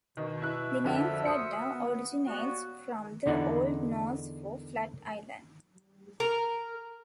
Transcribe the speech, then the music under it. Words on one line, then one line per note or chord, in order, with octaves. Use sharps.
The name Fladda originates from the Old Norse for 'flat island'.
B2 D#3
E4 F#6
F2 D3 F#4 A4 A#4 E5
C5 D#6 C#7
B3
G3 A#3 B3 F#4
E2 D3 D#4 E4 F#5
A#4